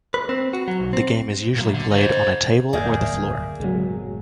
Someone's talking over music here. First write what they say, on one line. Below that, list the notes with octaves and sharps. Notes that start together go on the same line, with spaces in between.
The game is usually played on a table or the floor.
B4
C4
F#4
F#3
B1
C4
A#2 F#3
D3
C5 D#5
D1 E2 G2 A#3 G#4 D5 E5 G6
F#1 A2 F#3 G#3 B3